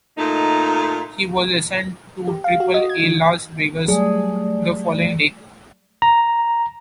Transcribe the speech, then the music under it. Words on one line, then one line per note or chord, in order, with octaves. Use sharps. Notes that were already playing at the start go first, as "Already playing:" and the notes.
He was assigned to Triple-A Las Vegas the following day.
A#2 A3 D#4 A#5
G4
F5
F#4
D#5
G#6
D#3
F#3 G3 A3 G#4 D5
A#5